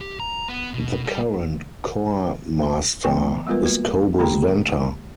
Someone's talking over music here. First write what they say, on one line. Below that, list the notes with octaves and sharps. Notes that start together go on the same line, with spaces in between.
The current choir master is Kobus Venter.
G4
A#5
B3
B2
G3
E3 B3 G5 G#5 C#6
G3 G#3 B3 F4 A#4 B4
A#3 F#4
D3 G#3 A#3 G4 G5 A#5